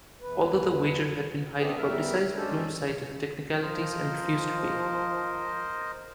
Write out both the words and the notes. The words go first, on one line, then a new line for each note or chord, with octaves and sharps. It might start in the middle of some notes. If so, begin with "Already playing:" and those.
Although the wager had been highly publicized, Bloom cited technicalities and refused to pay.
E2 B4
A3 B3 C4 D4 G#4
E2 G3 A#4 E5
G#3 C#4 D4 A4 C5
F3 A#4 C5 D#5